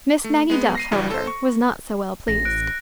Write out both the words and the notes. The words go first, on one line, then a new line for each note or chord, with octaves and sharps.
Miss Maggie Duff, however, was not so well pleased.
A3
G#3 B3
A#6 C7 D#7
C#2 G2 E3 F#3 G3
A4 C5
C#6
A1 A#6
F#6 D7